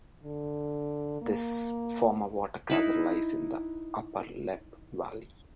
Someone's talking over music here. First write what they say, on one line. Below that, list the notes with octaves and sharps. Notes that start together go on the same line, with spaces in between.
This former water castle lies in the upper Leppe valley.
D3
A#3
D#4 E4 B4